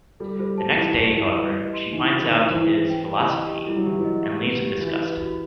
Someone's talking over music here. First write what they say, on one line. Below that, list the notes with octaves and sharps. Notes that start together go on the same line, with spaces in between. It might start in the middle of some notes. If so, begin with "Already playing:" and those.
The next day, however, she finds out about his "philosophy", and leaves in disgust.
G3 A4
G3 C5
F#3 A5
E3 E4
G4
F#3
E4
G3 B4
D#5
C6
E3 D#4
F#4
D#3
C5
E3 E4
B4
G5
G4
D#5
G4
G3 E4
F#3
E3 G4
F#3
D#5
G4
B4
G4
E3 F#4
B4
F#4